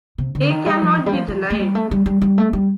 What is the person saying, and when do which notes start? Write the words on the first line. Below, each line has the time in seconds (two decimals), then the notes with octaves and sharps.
They cannot be denied.
0.18 C3
0.35 D3
0.51 D#3
0.66 G3
0.82 F3
0.97 D#3
1.06 G3
1.13 F3
1.28 F3
1.50 A3
1.60 G3
1.75 A3
1.91 G3
2.06 G3
2.21 G3
2.38 A3
2.53 G3